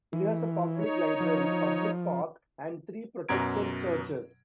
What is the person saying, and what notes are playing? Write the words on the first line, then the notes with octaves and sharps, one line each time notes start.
It has a public library, public park, and three Protestant churches.
E3
D#4 C#5
F3
F#2 B2 F#3 A#5 G#6 D7